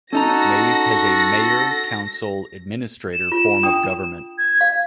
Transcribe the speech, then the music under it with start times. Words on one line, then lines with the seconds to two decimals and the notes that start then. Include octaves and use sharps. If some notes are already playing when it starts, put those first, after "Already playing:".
Maize has a mayor-council-administrator form of government.
0.13 C#4 D#4 F#4 A4 A#5 A#6
3.14 E7
3.32 F4
3.63 D4 G5 D#6
4.38 G#6
4.61 F5